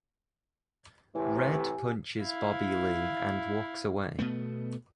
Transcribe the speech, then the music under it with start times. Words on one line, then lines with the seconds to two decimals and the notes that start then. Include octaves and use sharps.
Red punches Bobby Lee and walks away.
1.15 A2 C3 E3 G4 G#5
2.22 E4 F5
4.19 B2 A3 B3